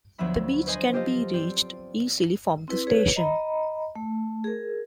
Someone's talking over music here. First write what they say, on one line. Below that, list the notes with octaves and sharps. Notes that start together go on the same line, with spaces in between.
The beach can be reached easily from the station.
D2 F3 F#3 B3 E5 B5
B4 C5 D#5 G#5 C6
F4 G4 A4 C5 D#5 F5
C4 F4 D5
C4 E4 B4
G#4 B4 C#5
D#5 A#5 B5
A3
G#4 A#4